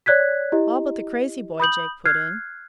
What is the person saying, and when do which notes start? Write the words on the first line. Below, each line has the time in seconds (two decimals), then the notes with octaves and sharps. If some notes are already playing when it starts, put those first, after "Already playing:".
"All but the crazy boy," Jake put in.
0.06 C#5 D5 F#6 G#6 B6
0.52 E4 G4 D#5
1.60 B5 D#6 G6 F#7
2.05 F6 F#6 G#6 C7